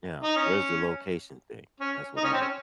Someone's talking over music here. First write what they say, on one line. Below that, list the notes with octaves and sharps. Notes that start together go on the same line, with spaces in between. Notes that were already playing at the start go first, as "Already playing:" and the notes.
Yeah, where's the location thing? That's what I'm looking
D#4
C#4
C#4
D#4
C#4
C4
C#4